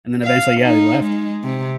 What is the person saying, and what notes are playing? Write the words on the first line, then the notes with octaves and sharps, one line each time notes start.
and then eventually, yeah, they left.
F5
D#4
G#3
C3